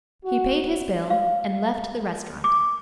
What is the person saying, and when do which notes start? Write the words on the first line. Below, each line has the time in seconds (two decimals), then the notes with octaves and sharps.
He paid his bill and left the restaurant.
0.25 F#4
1.10 F5
2.44 D6